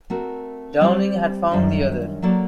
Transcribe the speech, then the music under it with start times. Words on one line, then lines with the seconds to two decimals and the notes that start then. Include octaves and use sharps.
Downing had found the other.
0.10 A3 C4 F#4 A#4
0.81 G3 C4 G4 C5
1.51 F#2 D#3 G3 D4
2.22 F#3 A#3 F#4 A4 D5